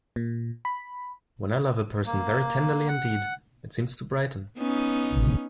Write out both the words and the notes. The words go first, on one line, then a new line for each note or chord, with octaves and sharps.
When I love a person very tenderly indeed, it seems to brighten.
A#2
B5
A#3
F#5
B3 C#4 D#4